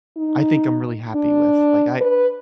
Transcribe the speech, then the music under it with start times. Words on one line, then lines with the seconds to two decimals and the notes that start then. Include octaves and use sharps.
I think I'm really happy with, like, I
0.17 D#4
1.15 D4
2.01 B4